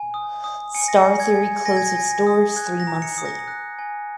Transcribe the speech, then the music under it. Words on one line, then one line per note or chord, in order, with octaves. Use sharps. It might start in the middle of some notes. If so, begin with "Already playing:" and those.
Star Theory closed its doors three months later.
Already playing: G#5
D#6
D#6
G#5 C#7
A#6
G#5 C#7
G#6
G#5
G#5 A#6
G#6
A#6
G#5
A#6
D#6
F#6 G#6
A#6
A#5
C#7
D#6
A#6
F#6
G#5